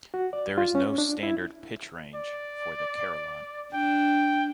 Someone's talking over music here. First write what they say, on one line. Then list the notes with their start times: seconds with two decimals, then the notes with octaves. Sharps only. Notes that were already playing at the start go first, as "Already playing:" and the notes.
There is no standard pitch range for the carillon.
0.14 F#4
0.33 D5
0.58 F4
0.75 C#4
0.98 D4
1.23 E4
2.15 D5
3.74 D4 G5